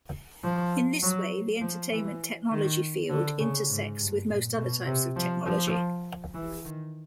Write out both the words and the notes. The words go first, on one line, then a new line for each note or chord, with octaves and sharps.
In this way, the entertainment technology field intersects with most other types of technology.
F3
F#3
F3
E3
D#3
D3
C#3
G#2
G2
A#2
B2
C3
F3
F3
E3
D#3